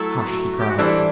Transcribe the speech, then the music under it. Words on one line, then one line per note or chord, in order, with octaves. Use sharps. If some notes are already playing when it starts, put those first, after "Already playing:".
"Hush!" he cried.
Already playing: F#3 A3 E4 A4
F#4
G4
F#4
E3 G3 D4 E4 A4 C5